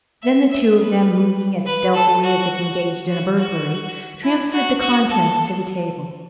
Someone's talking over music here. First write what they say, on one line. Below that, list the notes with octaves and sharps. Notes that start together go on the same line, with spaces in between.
Then the two of them, moving as stealthily as if engaged in a burglary, transferred the contents to the table.
E5
E5
B4
B4
A4
F#4
F#4
F#4
E4
F#4
F#4
A4